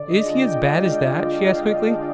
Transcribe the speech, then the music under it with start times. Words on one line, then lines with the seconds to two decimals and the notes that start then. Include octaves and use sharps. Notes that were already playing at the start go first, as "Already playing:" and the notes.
"Is he as bad as that?" she asked quickly.
Already playing: D3 D5
0.08 D#5
0.22 G#3 D4 F4
0.36 G5
0.63 D3 G5
0.76 F5
0.90 G5
1.04 G#3 D4 F4
1.34 G5
1.45 D3 F5
1.85 G#3 D4 F4